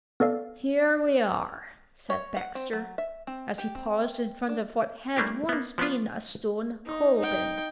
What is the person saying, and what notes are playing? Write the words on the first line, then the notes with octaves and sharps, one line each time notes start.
"Here we are," said Baxter, as he paused in front of what had once been a stone coal bin.
B3 A4 D5 F5
C#5
F#5
C4
F#3
E5
C4
G4
C4
D4
G3 A3 A#3 D4 E4 G4
A#3 B3
F3 B3 C#4 D4 F4
D#4
D#4 G5